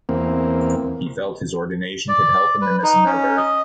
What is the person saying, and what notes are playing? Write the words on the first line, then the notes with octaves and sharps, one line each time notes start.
He felt his ordination could help him in this endeavor.
E2 A#3 C4
D5
B4
D#4
C#4
D#5